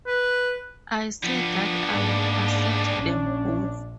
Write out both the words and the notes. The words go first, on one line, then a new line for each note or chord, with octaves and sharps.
I said that I would accept them both.
B4
F3 G3 B3 D4
G#2 A#3 G#4 D5 A5
A#1 C#4